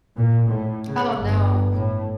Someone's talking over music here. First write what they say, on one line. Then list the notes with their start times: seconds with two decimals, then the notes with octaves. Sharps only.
Oh no.
0.18 A#2
0.49 A2
0.88 C#3
1.19 G1
1.72 A2